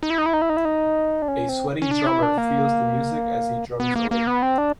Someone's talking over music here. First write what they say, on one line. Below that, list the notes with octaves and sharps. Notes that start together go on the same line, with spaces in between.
A sweaty drummer feels the music as he drums away.
D#4
E4
D#4
E4
D#4
E4
D#4
E4
D#4
D4
C#4
C4
C#4
D4
E4
D4
A#3
B3
A#3
A#3
B3
C4
D4